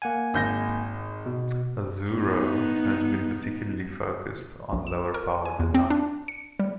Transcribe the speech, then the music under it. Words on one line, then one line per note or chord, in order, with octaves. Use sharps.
Azuro has been particularly focussed on lower power design.
A#3 F#5 G#5
G#1 G6 A#6
B2
B3 D#4
A#1
E7
A#4
G#5
E2
C4
D4
C#7
G3